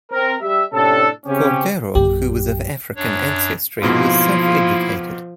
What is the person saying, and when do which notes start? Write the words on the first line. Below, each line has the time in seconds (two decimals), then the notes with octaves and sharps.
Cordero, who was of African ancestry, was self-educated.
0.11 C4 A#4
0.41 G3 E5
0.73 A2 C3 C#4 D4 A4
1.26 C#3 C4 C#4 G4
1.95 A#1 F#2 G4
2.96 F#2 D4 C#5
3.82 F2 G#2 B2 F3 A#3 E4 F4